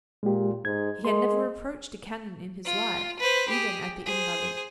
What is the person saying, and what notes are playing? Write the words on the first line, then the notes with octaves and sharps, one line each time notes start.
He had never approached a cannon in his life, even at the Invalides.
A#2 G#3 A#3 G4
G#2 G#6
G#3 A#4 C6
F4
B4 C5
G4 G#4
G#4 C5